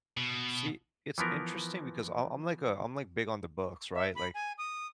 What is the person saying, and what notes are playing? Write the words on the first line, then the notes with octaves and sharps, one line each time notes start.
See, it's interesting because I I'm, like, a I'm, like, big on the books, right? Like,
B2
E3 F3 B3 A#4
E5
B5
G#5
D#6